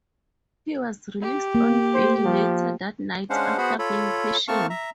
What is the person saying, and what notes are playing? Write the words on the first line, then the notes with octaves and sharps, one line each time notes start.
He was released on bail later that night after being questioned.
G4
A#3
C5
F3
G#3 C#4 D4 C5 F5 F#5
B3 F#4 G#4 C5 F#5 B5
F4 A4 C#5 B5
A3 A#3 C4 A5 C#6 F6
E5 A#5